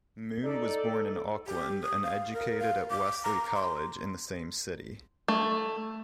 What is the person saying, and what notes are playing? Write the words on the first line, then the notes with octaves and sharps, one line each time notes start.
Mune was born in Auckland, and educated at Wesley College in the same city.
D#4 A4 D5
G4
D#6
F5
A#4
F5
D6
A#5
C6
A3